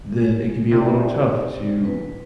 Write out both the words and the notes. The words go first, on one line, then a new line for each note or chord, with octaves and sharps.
then it can be a little tough to
G#3
C3 D#4 D5
B4